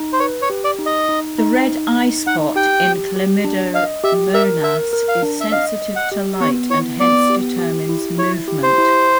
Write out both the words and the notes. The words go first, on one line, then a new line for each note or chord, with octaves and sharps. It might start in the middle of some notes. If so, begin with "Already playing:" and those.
The red eye spot in chlamydomonas is sensitive to light and hence determines movement.
Already playing: D#4
C5
B4 C#5
C#5
G4
D5
D#4
D#5
D#4
D#4
D#4
D#4
D#4 F#5
G4 G5
G4
G4
D4
D#5 F5
G4 E5
A#4 E5
A#4 E5
A#4
F5
D4
E5
D#5 F5
D#5
F#5
G4
B3 C#5
E4 C#5
B3 D5
G4
G4
E4
E4 C#5
G4
C5
E4